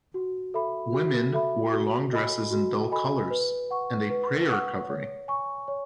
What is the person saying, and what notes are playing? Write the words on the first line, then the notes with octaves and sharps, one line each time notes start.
Women wore long dresses in dull colors, and a "prayer covering".
F#4
A4 E5 B5
F#4
A4 E5 B5
F#4
A4 D#5 G#5 B5
F#4
A4 D#5 G#5 B5
B4
F#5 C#6
B4
F#5 C#6
C#5
G#5 C#6
C#5